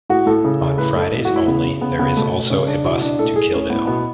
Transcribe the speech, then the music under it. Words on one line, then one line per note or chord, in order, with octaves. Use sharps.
On Fridays only there is also a bus to Kildale.
A2 F#4
A2 A4
C#3
C#3
A2 B4
A2 A4
A2
F#4
A2
E4
C#3 B3
C#3
C#3 B3
C#3 B3
B2 A3
B2
C#3 C#4
C#3 D4
B2 E4
B2 D4
A2 A4
A2 G#4
A2 C#4
A2 B3
B2 B3